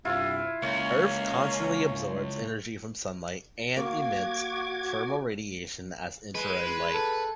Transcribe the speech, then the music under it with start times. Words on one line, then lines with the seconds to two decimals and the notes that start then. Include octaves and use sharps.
Earth constantly absorbs energy from sunlight and emits thermal radiation as infrared light.
0.05 G2 C3 E4 F4
0.62 C#2 A#3 C#4 C#5
3.77 A#3 F#4 D6 G#6
6.35 G#3 B4
6.94 A4